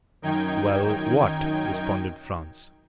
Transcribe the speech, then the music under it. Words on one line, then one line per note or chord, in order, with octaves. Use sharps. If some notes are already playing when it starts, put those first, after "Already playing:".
"Well--what?" responded Franz.
F#2 D#3 D#4 G5 G#6